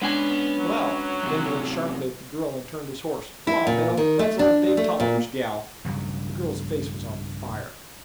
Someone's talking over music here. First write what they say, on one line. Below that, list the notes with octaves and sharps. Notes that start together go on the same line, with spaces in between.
"Well"--then he looked sharply at the girl and turned his horse--"Come on, Bill--that's ole Dave Tolliver's gal." The girl's face was on fire.
G#3 C#4 D4 B4 F#5 G#5
F#3
F#2 C3
E4
A#2
D#3
A3
D4
A3
A#2
B1 G2 C#3 F#3